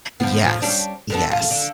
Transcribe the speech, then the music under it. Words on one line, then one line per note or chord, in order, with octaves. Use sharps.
Yes, yes.
D3 F3 B3
A2 F3
G3 C#4 D4
D3 B3 A4
F4
D3